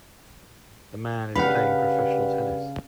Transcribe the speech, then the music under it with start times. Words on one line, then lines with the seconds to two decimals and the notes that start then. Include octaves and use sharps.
The man is playing professional tennis.
1.36 G2 C#3 F5 F#5 B5